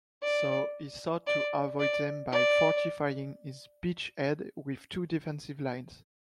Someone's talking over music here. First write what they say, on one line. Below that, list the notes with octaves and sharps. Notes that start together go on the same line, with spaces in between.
So, he sought to avoid them by fortifying his beachhead with two defensive lines.
D5
D5
D5
D5